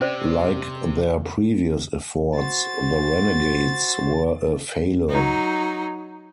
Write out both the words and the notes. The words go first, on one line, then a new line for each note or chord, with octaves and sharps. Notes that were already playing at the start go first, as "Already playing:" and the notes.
Like their previous efforts, the Renegades were a failure.
C3 C#4 C5 D5
F#4 C5 A6
F#3 D#4